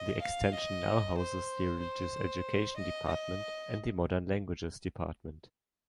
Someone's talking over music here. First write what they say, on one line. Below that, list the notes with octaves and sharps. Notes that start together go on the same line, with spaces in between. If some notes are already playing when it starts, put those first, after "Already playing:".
The extension now houses the Religious Education department and the Modern Languages department.
Already playing: D#5
F5
D#5
C5
C5
D#5
D#5